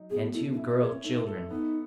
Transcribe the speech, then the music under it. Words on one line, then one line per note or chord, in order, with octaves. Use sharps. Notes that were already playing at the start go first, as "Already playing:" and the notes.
And two girl children.
Already playing: F#3 D#4
B2 G#4
A3 E4
D#4
C#4 E4
F#4
G#4 C#5
C#4
A3 D#4
A4
B3 D#4